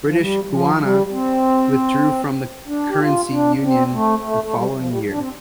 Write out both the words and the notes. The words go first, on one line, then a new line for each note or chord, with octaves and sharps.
British Guiana withdrew from the currency union the following year.
F3
G3
F3
G3
C4
D4
G4
F4
D4
C4
A3
A3
A3
G3
F3
G3
D4
C4